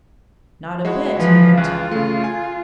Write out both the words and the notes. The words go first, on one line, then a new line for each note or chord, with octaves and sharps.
'Not a bit of it.
G#3 E4 F#4
E3 F3
C#2 F4 F#6
C#3 A3
G#5